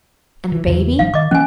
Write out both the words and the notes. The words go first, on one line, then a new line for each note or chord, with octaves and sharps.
And the baby?'
E3
E2 C#3 E3
G#1 F3 G3 F5
D#3 D#5 D6
E3 F3 A#3 C#4 G#5